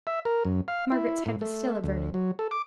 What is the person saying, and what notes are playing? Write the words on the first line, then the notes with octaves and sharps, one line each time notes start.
Margaret's head was still averted.
E5
A#4
F#2
F5
E4
A2
A3
D2
F#3
A4
D6